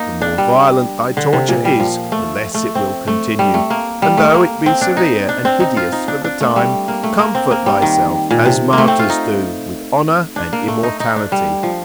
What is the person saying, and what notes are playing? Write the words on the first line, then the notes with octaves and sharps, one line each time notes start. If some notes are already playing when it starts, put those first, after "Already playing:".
The more violent thy torture is, the less it will continue: and though it be severe and hideous for the time, comfort thyself as martyrs do, with honour and immortality.
Already playing: A#3 D#4
D4
G3
D3
C3
A#2
G3
F3
A3
A3
C4
A3
G3
A3
A#3
G3
A3
A#3
C4
D4
D#4
D4
C4
D#4
F4
D#4
D4
D4
A3
G3
A#3
A3
A#3
C4
A#3
G3
D#3
A#2
C3
A#3
A3
C4
F4
D#4
D4
A#3
A3
D#4
D#4
D4
G3
F3